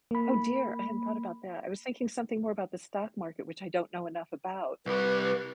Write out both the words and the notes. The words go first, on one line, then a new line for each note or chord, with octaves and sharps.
oh dear, I hadn't thought about that, I was thinking something more about the stock market, which I don't know enough about.
A#3 B5
C2 G3 B4